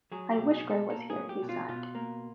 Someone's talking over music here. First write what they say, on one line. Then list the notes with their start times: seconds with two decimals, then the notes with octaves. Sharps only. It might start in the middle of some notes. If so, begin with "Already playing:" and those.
"I wish Gray was here," he sighed.
0.12 F#3 G#4
0.31 G4
0.38 B2
0.51 G#4
0.64 B2
0.70 A4
0.90 A#3 A4
1.10 G#4
1.16 F#3
1.29 G4
1.43 B2
1.49 F4
1.68 B2 F4
1.95 A#3